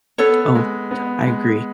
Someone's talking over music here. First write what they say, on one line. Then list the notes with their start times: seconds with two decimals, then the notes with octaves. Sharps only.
Oh, to I agree.
0.18 B3 A4 C#5
0.55 G#3
0.91 B3
1.27 G#3